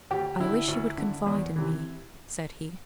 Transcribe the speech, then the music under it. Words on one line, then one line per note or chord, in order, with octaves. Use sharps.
"I wish you would confide in me," said he.
D2 G4
D3 E4
D2
D3
E2
C3 E3